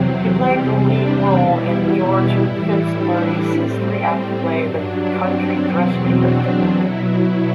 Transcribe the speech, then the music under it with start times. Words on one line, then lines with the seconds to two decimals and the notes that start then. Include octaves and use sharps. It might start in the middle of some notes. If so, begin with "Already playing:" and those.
She played the lead role in George Fitzmaurice's three-act play "The Country Dressmaker".
Already playing: E2 C3 F#3 C4
0.30 E2 C3 G3
0.83 D4
1.36 E2 B2 G3 E4
2.44 A2 E3 G3
2.97 D4
3.51 A2 G3 C4
4.57 G2 F#3 D4
5.11 C4
5.65 E2 B2 F#3 C4
6.19 D4
6.72 B2 F#3 E4